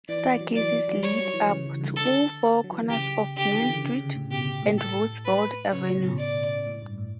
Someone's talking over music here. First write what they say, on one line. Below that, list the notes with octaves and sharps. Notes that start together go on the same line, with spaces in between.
Staircases lead up to all four corners of Main Street and Roosevelt Avenue.
E3 D5
E3
F#3
E3 D5
F#3
F#3
G3 C#5
F#3
E3
C#3
E3
D3
D3 A4
F#3
E3
D3
C#3 G4
D3 G4
E3
D3
C#3
D3
C#3
A2
B2 G4
B2
A2
A4
B4
C#3 C#5
A2
B2
D5
A2
G2
A2